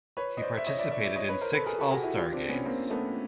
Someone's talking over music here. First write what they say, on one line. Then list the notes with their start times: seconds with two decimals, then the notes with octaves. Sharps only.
He participated in six All-Star games.
0.17 B4 C#5
0.37 D#5
0.41 C5 D5
0.57 E5
0.67 C#5 D#5
0.79 D5 E5
0.91 D5 E5
1.03 D5 E5
1.16 C#5 D#5
1.29 B4 C#5
1.41 A#4 C5
1.53 A4 B4
1.66 G#4 A#4
1.78 G4 A4
1.91 F#4 G#4
2.03 E4 F#4
2.16 F4 G4
2.32 C4 D4
2.49 B3 C#4
2.65 A#3 C4
2.90 A3 B3